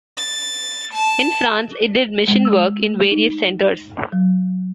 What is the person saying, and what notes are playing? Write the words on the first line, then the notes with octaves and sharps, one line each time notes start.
In France it did mission work in various centres.
A6
A5
G#3
E6
A3
D#4
F#3